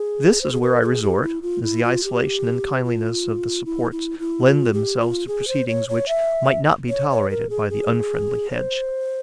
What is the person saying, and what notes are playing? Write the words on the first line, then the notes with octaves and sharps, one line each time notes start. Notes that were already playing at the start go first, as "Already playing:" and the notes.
This is where I resort, as the isolation and kindliness of the supports lend themselves to proceedings which might not be tolerated by the unfriendly hedge.
Already playing: G#4
C5
G#4
A#4
A#4
G#4
G4
E4
F4
E4
F4
G4
F4
E4
E4
E4
F4
G4
F4
G#4
C5
C#5
C#5
E5
C#5
C#5
A#4
G#4
G#4
C5